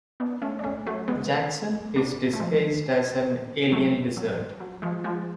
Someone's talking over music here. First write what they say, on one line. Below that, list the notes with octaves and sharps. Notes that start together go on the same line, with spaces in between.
Jackson is disguised as an alien lizard.
B3 D4
A3 C#4
D4
A3 C#4
F#3 A3
G#3 B3
B3 D4
A3
F3 G#3
F#3 A3
F#3
F#3
F3 G#3
F3 G#3